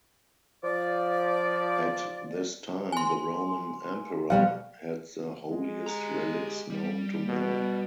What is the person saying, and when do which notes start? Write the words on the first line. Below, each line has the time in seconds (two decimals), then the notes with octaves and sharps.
At this time, the Roman emperor had the holiest relics known to man.
0.63 F3 D5
2.92 G#5 C6
4.30 B2 G3 F5 F#5
5.50 G#3
5.86 G4 A#5
6.70 G3
7.28 B2